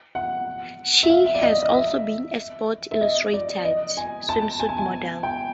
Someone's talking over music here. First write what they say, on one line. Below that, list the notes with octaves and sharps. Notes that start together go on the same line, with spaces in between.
She has also been a "Sports Illustrated" swimsuit model.
F#5
E5
F5
E5
D5
D#5
D#5
E5
E5
D#5
D5
D#5
G#5
A5
G#5
A5
G#5
G5